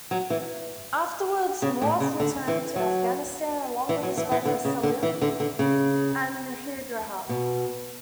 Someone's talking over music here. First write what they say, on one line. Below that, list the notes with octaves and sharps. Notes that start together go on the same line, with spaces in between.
Afterwards, Nawaf returned to Afghanistan along with his brother Salem, and Mihdhar.
F#3
E3
C#3
A2
C#3
D3
E3
F#3
E3
F#3
E3
E3
D3
C#3
D3
E3
D3
D3
C#3
B2